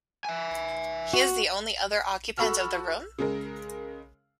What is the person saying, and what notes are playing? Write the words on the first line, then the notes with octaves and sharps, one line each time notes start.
He is the only other occupant of the room?
E5 G#5
F#4
F#4 A4 B5 C#6 E6 F6
C#3 G#3 A#4